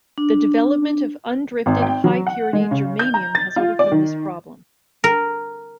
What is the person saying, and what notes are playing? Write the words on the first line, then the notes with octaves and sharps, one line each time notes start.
The development of undrifted high purity germanium has overcome this problem.
D4
G#1
G5
F#3
F#5
G#3
C#3
G6
A#5
A6
F4
D5
D#3
A#4